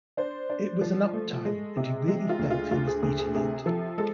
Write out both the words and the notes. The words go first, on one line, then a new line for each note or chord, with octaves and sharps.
It was an up time, and he really felt he was beating it.
D4 C5
D4
F3
A3
G#3
C3
G#3
F4
D2
F4
D2 F4
G#4
D2 G#4
G#4
C3 G#4
F3 A4
G#3 A4